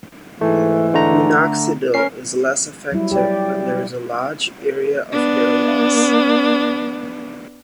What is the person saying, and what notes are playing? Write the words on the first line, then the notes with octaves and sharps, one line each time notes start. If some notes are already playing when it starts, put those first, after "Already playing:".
Minoxidil is less effective when there is a large area of hair loss.
G#2 E3 A3
D3 A3 A#5
C#4 A#4 C7
F#3 G3 E4
G4 D5
B3 D4